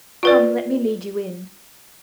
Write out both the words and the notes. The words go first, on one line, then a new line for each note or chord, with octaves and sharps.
Come, let me lead you in.
F4 B4 D5